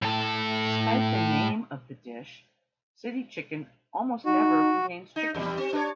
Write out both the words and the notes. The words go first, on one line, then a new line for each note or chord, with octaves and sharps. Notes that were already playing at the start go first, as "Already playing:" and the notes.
Despite the name of the dish, city chicken almost never contains chicken.
A2 A4
D#4 F#4
D#4
E2 G3
C4
D4 A#4 C#5